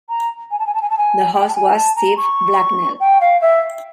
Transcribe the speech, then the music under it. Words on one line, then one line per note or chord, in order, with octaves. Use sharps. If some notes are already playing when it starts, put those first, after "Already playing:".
The host was Steve Blacknell.
A#5
G#5
A5
G#5
A5
G#5
A5
G#5
G5
A5
G#5
A5
A#5
C#6
G5
F5
E5